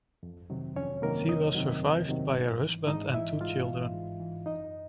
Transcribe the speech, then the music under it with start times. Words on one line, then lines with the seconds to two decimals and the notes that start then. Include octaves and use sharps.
She was survived by her husband and two children.
0.23 F2
0.50 C3 D#3 F#3
0.76 F2 C#4 C#5
1.02 C3 D#3 F#3 A#3 A#4
1.29 F2 D#4 D#5
1.55 C3 D#3 F#3
1.82 F2
2.08 C3 D#3 F#3
2.35 G#2
2.61 E3
2.87 G#2 D#4 D#5
3.14 E3 E4 E5
3.41 G#2 F4 F5
3.68 E3
3.94 G#2
4.20 E3
4.46 F#2 D#4 D#5